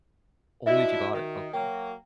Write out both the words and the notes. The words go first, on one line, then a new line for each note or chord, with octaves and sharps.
Only if you bought it. Okay.
F3 D4 E4 F#4 D#5 E5
D#3
F#3 A#3 G5